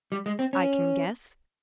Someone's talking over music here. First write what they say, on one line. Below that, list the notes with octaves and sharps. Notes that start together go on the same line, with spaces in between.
"I can guess."
G3
G#3
C4
C#4